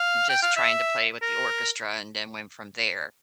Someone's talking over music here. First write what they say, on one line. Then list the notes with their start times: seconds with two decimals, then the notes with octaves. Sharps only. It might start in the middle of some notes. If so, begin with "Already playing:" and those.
Just trying to play with the orchestra and then went from there,
Already playing: F5
0.29 G5
0.43 F5
0.57 E5
1.22 A#4